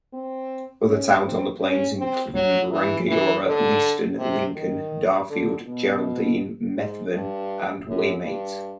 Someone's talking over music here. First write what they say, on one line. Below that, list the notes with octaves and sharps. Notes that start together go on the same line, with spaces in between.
Other towns on the plains include Rangiora, Leeston, Lincoln, Darfield, Geraldine, Methven and Waimate.
C4
C#4
C4
C#4
C4
F#3
E3
E3
D3
C3
D#3
D3
B2
G#2
G2
F#2
G2